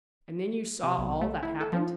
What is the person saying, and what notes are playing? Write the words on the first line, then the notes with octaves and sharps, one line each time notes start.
"And then you saw all that happened?"
C3
B1
A3
E4
A4
F3